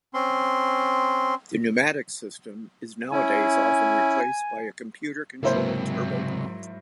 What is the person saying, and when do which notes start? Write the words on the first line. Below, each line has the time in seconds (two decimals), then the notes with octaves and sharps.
The pneumatic system is nowadays often replaced by a computer-controlled turbopump.
0.14 C4 C#4 C6
3.12 C#4 E4 G#5
5.43 C#2 G#2 C3 F#3 A#3 E4 C5